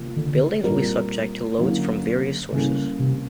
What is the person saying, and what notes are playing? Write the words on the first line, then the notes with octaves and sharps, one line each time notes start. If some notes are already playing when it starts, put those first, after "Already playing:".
Buildings will be subject to loads from various sources.
Already playing: C3 F3 A#3
D3
A#2 G3 C4 F4 A#4
D3 F#3 A#3 C#4 E4
C#3 G3 A#3 C#4 E4 A4
C3